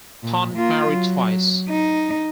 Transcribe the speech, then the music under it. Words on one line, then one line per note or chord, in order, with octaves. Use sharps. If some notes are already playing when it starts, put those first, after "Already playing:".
Ponet married twice.
A#2
A#3 F4
F#3
D#4